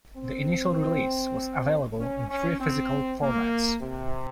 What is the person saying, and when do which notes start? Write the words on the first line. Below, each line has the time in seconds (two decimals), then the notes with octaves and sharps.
The initial release was available on three physical formats.
0.16 C4
1.99 C#4
2.29 C#4
2.60 C4
3.21 A#3
3.81 C3